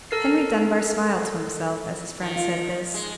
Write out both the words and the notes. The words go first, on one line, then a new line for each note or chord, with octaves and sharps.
Henry Dunbar smiled to himself as his friend said this.
A4 A#4 A6 C7
D#3
F4
G#3